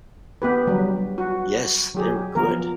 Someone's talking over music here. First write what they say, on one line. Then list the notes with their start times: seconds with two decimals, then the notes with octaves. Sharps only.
Yes, they were good.
0.42 B3 G4 B4
0.67 F#3 G3
1.18 F#4
1.95 F#3 G4 G#4
2.35 F3 B3 A#4